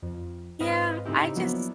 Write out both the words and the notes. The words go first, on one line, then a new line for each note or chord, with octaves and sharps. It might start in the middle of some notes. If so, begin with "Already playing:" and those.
Yeah, I just
F2
G#2 C4 B4 D#5 F5
A2 C#3 C4 D#4 E4 G4
F3 F#3 A#3 B3 D4 E4